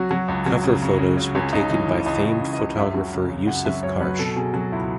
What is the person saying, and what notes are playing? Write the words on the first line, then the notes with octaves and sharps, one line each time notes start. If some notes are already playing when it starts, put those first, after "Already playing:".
Cover photos were taken by famed photographer Yousuf Karsh.
Already playing: F#3 F#4
F#3
C#2
F#3
C#3
C#3
C#3
C#3
C#2 C#4
C#2 D#4
E3 D#4
E3
C#2 D#5
C#2
C#3
D#5
C#2
F#2 E5
F#3
C#3
C#3
F#2 F#5
F#3 E5
F#2 C#5
F#3 B4
B2 A4
B2 G#4
F#3 F#4
C#2 E4